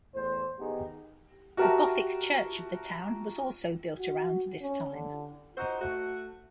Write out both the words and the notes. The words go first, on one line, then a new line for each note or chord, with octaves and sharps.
The Gothic church of the town was also built around this time.
E2 A2 C5
D#3 B3 D#4 G4 G#4
F#4 G4 A#4 E5 A5
F#4
C#4
D3
D#4 F#4 C5
A3 F#4